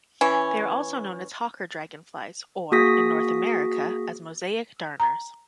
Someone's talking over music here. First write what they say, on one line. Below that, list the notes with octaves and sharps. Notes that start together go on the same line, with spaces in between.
They are also known as hawker dragonflies, or, in North America, as mosaic darners.
E3 C#4
A#3 F#4 G#4 D#6 A#6 B6
A#5